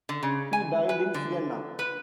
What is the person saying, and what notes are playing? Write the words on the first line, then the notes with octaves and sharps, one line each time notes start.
He died in Siena.
D3
C#3
G#5
B4
D3
B4